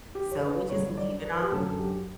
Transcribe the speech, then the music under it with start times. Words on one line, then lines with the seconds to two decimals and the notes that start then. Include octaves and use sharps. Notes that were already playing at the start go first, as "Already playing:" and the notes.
So, we just leave it on
0.15 G4
0.32 C#5
0.42 B4
0.70 G2 D3 F#3 C#5
0.97 D5
1.25 B4
1.43 G4
1.52 F#2 D3 F#3 A4
1.79 G4